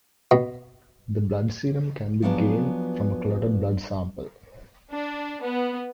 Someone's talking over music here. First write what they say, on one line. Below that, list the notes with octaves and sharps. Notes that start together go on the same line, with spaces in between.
The blood serum can be gained from a clotted blood sample.
B2
F3 F#3 B3 D4 G#4
D4
B3